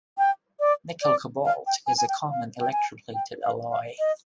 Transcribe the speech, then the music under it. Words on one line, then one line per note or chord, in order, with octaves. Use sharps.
Nickel-Cobalt is a common electroplated alloy.
G5
D5
D5
F5
G5
G#5
G#5
G5
F5
G5
G#5
G5
F5
F5
D#5